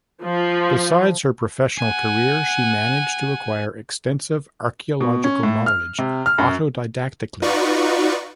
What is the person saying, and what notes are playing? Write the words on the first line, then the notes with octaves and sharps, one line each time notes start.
Besides her professional career, she managed to acquire extensive archaeological knowledge autodidactically.
F3
F#5 G#5
B2
C#4
A2
F6
C3
F6
F#2
D#4 F4 F#4 B4 D5 C#6